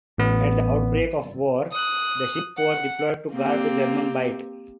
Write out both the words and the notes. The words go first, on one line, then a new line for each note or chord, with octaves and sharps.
At the outbreak of war, the ship was deployed to guard the German Bight.
A1 B3
D#6 F#6
F#5
A#3 C4 G4